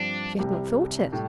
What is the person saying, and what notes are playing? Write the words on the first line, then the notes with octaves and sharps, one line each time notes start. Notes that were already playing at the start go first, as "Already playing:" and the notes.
She had not thought it.
Already playing: G2 F3 C4 D4 F4
C2 C3 G3
A2 G3 A4